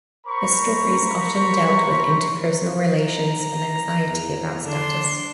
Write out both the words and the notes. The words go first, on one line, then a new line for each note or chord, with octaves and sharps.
Her stories often dealt with interpersonal relations and anxiety about status.
A#4 C5 A#5 B5 C#6
A#5
E2
D3 D4 C6